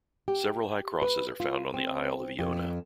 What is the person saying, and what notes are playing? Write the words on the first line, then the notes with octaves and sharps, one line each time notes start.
Several high crosses are found on the Isle of Iona.
G4
B4
F4
C4
F2